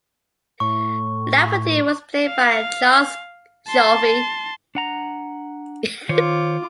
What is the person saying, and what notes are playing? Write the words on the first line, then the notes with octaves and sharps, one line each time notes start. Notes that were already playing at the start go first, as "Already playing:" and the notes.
Laverty was played by Charles Cioffi.
A2 C#6
F5
A5 C6
D4 F#5 A#5
D#3 F4 C5 C#5 D6